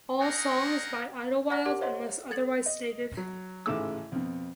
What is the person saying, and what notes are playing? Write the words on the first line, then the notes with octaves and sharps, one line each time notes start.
All songs by Idlewild unless otherwise stated.
D#4 G#4 A#4 F#5
D5 F#5 A#5 C#6 F6 A#6
G4 A#4 F#5 D6 G#6
C5 C#5 D#5 F5 F#5 C6
A4 G#6 A6 C#7 F#7
D#5
F#3
A1 G#2 C#3 A3 D6 E6
F2 B2